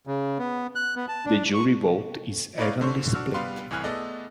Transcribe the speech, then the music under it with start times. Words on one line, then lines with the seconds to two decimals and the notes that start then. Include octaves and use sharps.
The jury vote is evenly split.
0.07 C#3
0.39 B3
0.75 F#6
0.96 B3
1.08 A5
1.26 D4
1.54 C#6
2.58 D#4 E4 B4 C#5 D5 F5
2.80 B1 D3 C5 C#6
3.14 D4 F#4 E6 F6
3.34 G3 B3 B4 F5 C6
3.71 C2 A2 E3 G#5 F6 F#6
3.84 A3 B3 G#4 A4 D5 D#5